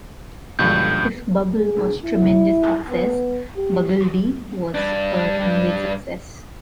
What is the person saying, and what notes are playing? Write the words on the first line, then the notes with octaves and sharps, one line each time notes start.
If "Bubble" was tremendous success, "Buggle D" was a run-way success.
B1 G2 D3 F3 G#3 G6
G#4
E4
B3
G4
G2 D4